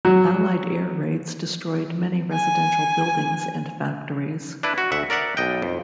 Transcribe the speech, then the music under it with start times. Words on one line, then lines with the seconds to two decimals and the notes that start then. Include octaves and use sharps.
Allied air raids destroyed many residential buildings and factories.
0.05 F#3
2.33 G#5
4.63 D4 E4 B4
4.78 F#4
4.92 D2 E5 F#5
5.10 A#4 D5 E5 F#5
5.37 B1 D#5 G5
5.62 F2